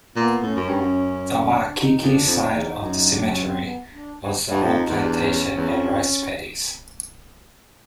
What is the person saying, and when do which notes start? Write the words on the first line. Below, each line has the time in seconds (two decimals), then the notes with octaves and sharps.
The Waikiki side of the cemetery was the old Plantation and rice paddies.
0.16 A#2 B3
0.42 A2 C#4
0.56 F#2
0.69 G2
0.81 F#2
1.47 D4
1.65 D4
1.74 D#4
2.00 F2 D4
2.26 F2 D#4
2.53 E2
2.79 F#2
3.05 D4
3.22 C#4
3.41 C4
3.59 B3
3.93 D4
4.23 G2
4.50 G2
4.63 F2 D#4
4.89 E2 D4
5.16 C#4
5.56 E2
5.69 F2